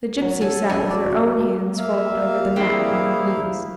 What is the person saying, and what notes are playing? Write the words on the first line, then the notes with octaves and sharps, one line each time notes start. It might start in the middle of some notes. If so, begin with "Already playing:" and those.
The gipsy sat with her own hands folded over the mat on her knees.
F#3
A4 G#5
C#4 D4 G#4 A4
F#4 D5
A#3 E5 F5
E3 G3 C4 E4 G#4